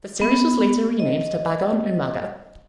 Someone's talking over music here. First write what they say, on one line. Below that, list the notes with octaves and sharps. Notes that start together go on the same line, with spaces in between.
The series was later renamed to "Bagong Umaga".
B3
D#5